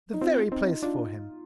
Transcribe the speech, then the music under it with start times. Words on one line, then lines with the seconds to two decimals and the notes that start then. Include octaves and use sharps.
The very place for him.
0.14 D#4
0.21 C4 F4
0.52 C4 D#4
0.83 D4 F4